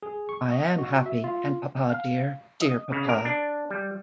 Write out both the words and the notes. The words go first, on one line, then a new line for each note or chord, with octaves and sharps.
I am happy — and papa, dear, dear papa!
G#4
C#6
D#5
F#4
E5
F4
F5
D#5
C#3
A#4
D4
G3